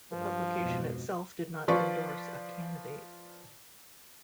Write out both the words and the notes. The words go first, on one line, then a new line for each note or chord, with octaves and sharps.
The publication itself did not endorse a candidate.
G2 F3
F2 G#2 B2
F3 F4 B4 D5 C#6